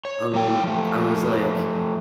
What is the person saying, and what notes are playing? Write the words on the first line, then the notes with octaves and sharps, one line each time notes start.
um, I was like
C#5
F#3 A#3 G5
F3 A3